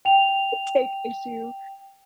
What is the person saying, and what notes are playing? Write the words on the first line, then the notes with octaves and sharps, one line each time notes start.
take issue
G5 F7